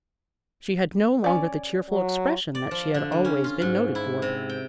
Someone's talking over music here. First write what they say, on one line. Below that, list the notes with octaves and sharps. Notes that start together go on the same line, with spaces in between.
She had no longer the cheerful expression that she had always been noted for.
C#4 D5
F#3
D5
F3
D3
G3
C#4
F4
G#2
E4
C3
G5